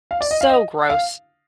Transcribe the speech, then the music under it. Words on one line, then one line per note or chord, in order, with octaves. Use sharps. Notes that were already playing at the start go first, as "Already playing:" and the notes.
So gross.
F5
D5
D#5
F5
D#5
F5